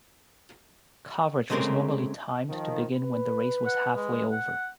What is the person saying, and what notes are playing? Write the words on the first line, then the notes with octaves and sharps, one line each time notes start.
Coverage was normally timed to begin when the race was halfway over.
C#3 G#3 A3 C4 A#4
D#3 F3
B4
F#5
G#3
F#5